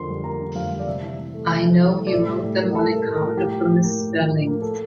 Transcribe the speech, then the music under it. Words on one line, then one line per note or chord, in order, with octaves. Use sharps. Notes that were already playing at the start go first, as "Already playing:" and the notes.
I know he wrote them on account of the misspellings.
Already playing: F2 D3 A#3 C6
G3
A#3 A#5
D3
F2 F5
G3
D5
C3 E5
E3
C3
A3
C3
E3
C3
A3
D5
A2 E5
G3
A2
A#3
A2 A4
G3
A#4
A2
A#4
A#3
A2 G4
F3
A2
A#3
A2
F3
A2
A#3
A4